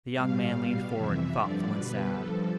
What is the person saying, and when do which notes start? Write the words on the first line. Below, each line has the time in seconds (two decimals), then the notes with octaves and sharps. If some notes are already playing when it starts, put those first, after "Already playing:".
The young man leaned forward, thoughtful and sad.
0.13 A2 G3 F5
0.52 B2 G3 F5
0.91 F2 C3 E3 E5
1.31 G2 D3 F3 D5
1.69 B2 G3 B4
2.08 G2 F3 A4